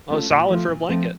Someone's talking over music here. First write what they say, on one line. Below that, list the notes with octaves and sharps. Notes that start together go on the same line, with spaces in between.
Oh, solid for a blanket.
A3 C#4 F4 A4
A#2
F3 A3 C4 F4
A#2
F3 A3 C4 F4